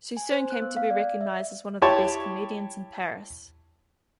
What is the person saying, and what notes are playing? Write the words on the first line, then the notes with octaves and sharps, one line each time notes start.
She soon came to be recognized as one of the best comedians in Paris.
G#5
C5
F#6
B3
F5
D5
E5
E4 G4 C#5 A5 C#6